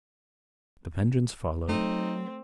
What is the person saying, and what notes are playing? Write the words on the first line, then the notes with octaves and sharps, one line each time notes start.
The Vengeance followed.
F#3 A3 C4 D#4